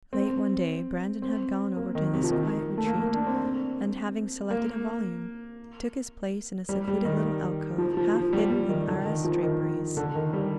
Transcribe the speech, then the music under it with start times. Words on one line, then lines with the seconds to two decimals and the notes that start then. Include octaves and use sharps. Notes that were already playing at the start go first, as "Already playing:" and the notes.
Late one day Brandon had gone over to this quiet retreat, and having selected a volume, took his place in a secluded little alcove half hidden in arras draperies.
0.13 C4
1.22 C4
1.77 A#3
1.95 D#3
2.14 C3
2.24 F3
2.31 D#3
2.78 A3
2.86 A#3
3.00 A#3
3.14 D4
3.27 C4
4.51 A#3
6.69 G3
6.88 G3
7.05 D#3
7.78 F3
7.97 F3
8.15 F3
8.33 G3
8.52 G3
8.69 D#3
8.88 D3
9.06 D#3
9.24 F3
9.43 D#3
9.97 D3
10.15 D#3
10.33 G3